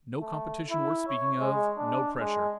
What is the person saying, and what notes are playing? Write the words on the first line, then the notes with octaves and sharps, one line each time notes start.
No competition worth speaking of--no pressure.
A3
E4
C#5
G#3
D4
G#3